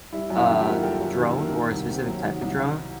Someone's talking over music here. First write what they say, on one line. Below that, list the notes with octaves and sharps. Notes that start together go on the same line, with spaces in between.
a drone or a specific type of drone.
G3 E4
F#2
E4 F#4
D#3
F4 G4
A#3
G3 G4 A4
F#2
D#3
A#3
D#3
C2
C3
F#3
D#3
C2